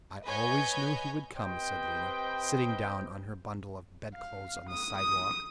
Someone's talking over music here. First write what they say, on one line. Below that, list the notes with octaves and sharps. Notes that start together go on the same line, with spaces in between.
"I always knew he would come," said Lena, sitting down on her bundle of bedclothes on the sidewalk.
B4 C#5 D#5 G#5 G6
C4 G4 B4 C5 D#5 G5
F5
D#6
D#6